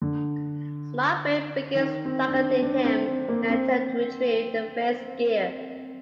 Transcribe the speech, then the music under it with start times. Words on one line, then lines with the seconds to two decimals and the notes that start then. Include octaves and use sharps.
Smart Brain begins targeting him in an attempt to retrieve the Faiz Gear.
0.02 D3
1.75 D#3
2.05 C4
2.28 D4
2.34 C4
2.62 D4
2.84 C4
3.06 C4
3.28 A#3
3.50 C4